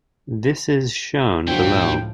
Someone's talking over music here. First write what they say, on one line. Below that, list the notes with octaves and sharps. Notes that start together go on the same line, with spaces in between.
This is shown below.
C#2 A2 E3 F3 D4 F#4 G5